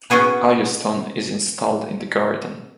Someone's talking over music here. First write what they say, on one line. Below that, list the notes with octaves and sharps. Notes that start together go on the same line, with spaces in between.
Iyo Stone is installed in the garden.
B3 C#4 F#4 G#4 B4